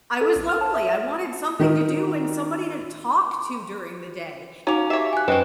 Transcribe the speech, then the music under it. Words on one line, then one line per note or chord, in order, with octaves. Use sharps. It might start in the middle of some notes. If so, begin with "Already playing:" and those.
I was lonely, I wanted something to do and somebody to talk to during the day,
A4
A#1
F6
A5
E5
D#3 D#4 A#4
C#4 D#4 F#4 F5 A#5 D6 F7
G4 C#5 E5
G#5 F#6
F#2 C4 C#4 B4 D#5 G5